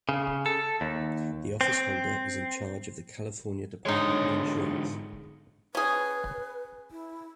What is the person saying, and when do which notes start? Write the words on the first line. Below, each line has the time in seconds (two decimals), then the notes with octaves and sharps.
The officeholder is in charge of the California Department of Insurance.
0.09 C#3
0.46 A4
0.81 D#2
1.61 C4
3.85 G#2 D3 G#3 D#4 C#5
5.75 C#4 G#4 B4
6.91 E4